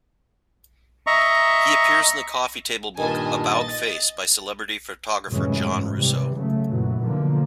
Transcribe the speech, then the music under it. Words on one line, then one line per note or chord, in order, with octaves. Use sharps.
He appears in the coffee table book "About Face" by celebrity photographer John Russo.
D#5 E5 A#5 C#6
G2 A#2 D#3 D#5 G#5 A5
D#5 A6
F#2 A2 C3 E3 G#3 C#4
G#2
C3 E3 G3
C#3 F#3 A3
F#2 A#2 E3 F#3
B2 D3 F3 A#3